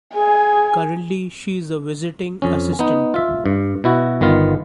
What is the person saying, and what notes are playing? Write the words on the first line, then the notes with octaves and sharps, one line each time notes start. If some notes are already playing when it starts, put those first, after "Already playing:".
Currently she is a Visiting Asst.
G#4 G#5
F2 C#4
B3 D#4
F4 E5
G2
B2 E4 F#4
G1 D#3 B3 F4 F5